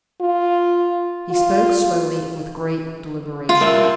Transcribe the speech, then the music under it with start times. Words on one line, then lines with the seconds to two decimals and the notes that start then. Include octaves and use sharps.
He spoke slowly and with great deliberation.
0.21 F4
1.30 F4
3.49 F4
3.61 G2 A#4 E5